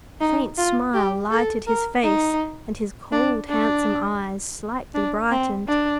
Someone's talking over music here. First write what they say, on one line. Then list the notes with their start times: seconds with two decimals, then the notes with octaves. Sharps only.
A faint smile lighted his face, and his cold, handsome eyes slightly brightened.
0.21 D#4
0.58 F4
0.94 G4
1.30 A4
1.67 A#4
2.03 D#4
3.12 D4
3.49 D4
4.94 D4
5.31 C4
5.68 D4